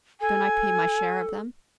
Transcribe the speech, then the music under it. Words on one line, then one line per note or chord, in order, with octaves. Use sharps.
"Don't I pay my share of them?"
A4 G#5